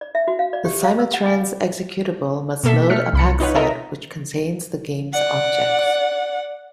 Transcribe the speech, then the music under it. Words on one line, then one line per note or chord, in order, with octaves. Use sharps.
The "Simutrans" executable must load a PakSet which contains the game's objects.
D5
E5
F#4
F5
D5
G4
F5
E6
F#5
G#5
B2 A#3 A4 E5 B6
A3 F6 B6 C#7
C2 B5 C#7
D#4 F4 B4 C#5 F#5
A4 A#4 D#5 E5 A#5
D5 F#5